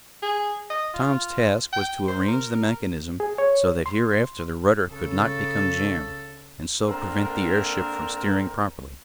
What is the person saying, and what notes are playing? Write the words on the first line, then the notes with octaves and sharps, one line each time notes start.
Tom's task was to arrange the mechanism so that, hereafter, the rudder could not become jammed, and so prevent the airship from steering properly.
G#4
D#5
F4
G5
C5
A#4
G#4
C#5
C6
C#3 A4
D3 A#3 C4 D4 A#4